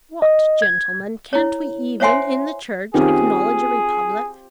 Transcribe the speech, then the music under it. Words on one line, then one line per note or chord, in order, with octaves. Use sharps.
What, gentlemen, can't we even in the Church acknowledge a republic?
D#5
G#6
E4 C#5
C5 C#5 E5 F#5 G#5 C6
D#3 C4 C#4 F4 G4 G#4